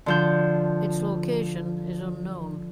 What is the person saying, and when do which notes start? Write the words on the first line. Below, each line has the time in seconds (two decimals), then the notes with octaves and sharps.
Its location is unknown.
0.06 D3 F3 G6